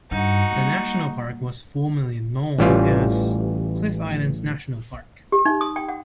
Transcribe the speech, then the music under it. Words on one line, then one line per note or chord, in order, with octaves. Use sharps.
The national park was formerly known as Cliff Islands National Park.
G2 D#4 F#4
G3 A#3
A1 E3 G3 C#4 F4
G4
D#4
D#6
G5
F#5